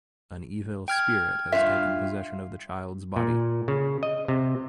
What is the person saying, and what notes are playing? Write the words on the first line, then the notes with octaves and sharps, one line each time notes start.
An evil spirit has taken possession of the child’s body.
G5 F6 G#6
G2 F4 E5
A#2
C#3
D#5
C3